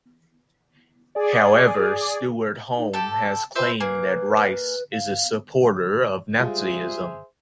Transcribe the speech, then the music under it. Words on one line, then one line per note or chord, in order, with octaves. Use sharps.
However Stewart Home has claimed that Rice is a supporter of Nazism.
G#4 D5
D#4
G4 A4 A5
F4 B4 C5 E5
A#3 G#4 B4
F5
G3 G#3 F4 G#4 C5 E5